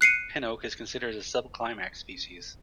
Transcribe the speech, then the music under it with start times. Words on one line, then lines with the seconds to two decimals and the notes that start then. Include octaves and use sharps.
Pin oak is considered a subclimax species.
0.01 F#6 C7 C#7 D#7